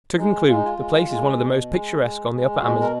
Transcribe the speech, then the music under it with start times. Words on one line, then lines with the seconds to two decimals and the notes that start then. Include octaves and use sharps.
To conclude, the place is one of the most picturesque on the Upper Amazon.
0.17 G#3 D#4
0.47 G#3 F4
0.56 D#4
0.64 F4
0.78 G#3
1.09 G#3
1.39 B2
1.70 G#3
2.01 G#3
2.31 G#3
2.57 G#4
2.61 B2 F#4
2.81 A#4